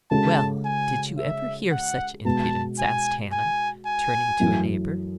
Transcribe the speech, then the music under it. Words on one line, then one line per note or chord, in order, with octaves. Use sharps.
'Well, did you ever hear such impudence?' asked Hannah, turning to a neighbour.
C#3 G#3 C#4 F#4 A4 A5
G#5
E5
F#5
B2 G#3 B3 A5
G#5
G#5
G#5
F#2 E3 A3